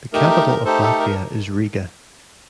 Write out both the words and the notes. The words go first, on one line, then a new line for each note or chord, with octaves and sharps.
The capital of Latvia is Riga.
A3 D#4 G4 A#4
A#4
A#4
A3 D#4 G4 A4 C5
A4
A#4